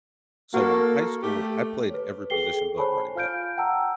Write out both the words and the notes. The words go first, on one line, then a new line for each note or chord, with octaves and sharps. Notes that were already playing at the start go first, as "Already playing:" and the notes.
so, in high school, I played every position but running back.
A#3 F#4 A4
A3 G4
B4 C#5
G#4 A4 G5 C7 G7
C5 C#5 G#5 A5 B5 C#6
F4 F5 F6 G6 D7
F#5 G5 A5 A#5 E6